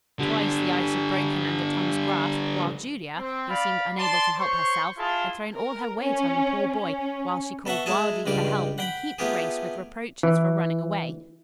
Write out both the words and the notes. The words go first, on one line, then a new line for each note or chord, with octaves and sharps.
Twice the ice had broken under Tom's grasp, while Julia, who seemed unable to help herself, had thrown all her weight on the poor boy, while she called wildly for help and heaped Grace with reproaches for running away.
D3 G3
C4
D5 F5 B5
D5 A5 C6
C5 C#5 C6 C#6
E4 F4 G#4 A5
A#4
C#4
C#4
B2 A4 E5 F#5 C#6
G#3 E4 G#4 A5
C#2 G2 G3 F4 D6
F#5 G5 B5
A3 B3 F4 G4 G#4
E3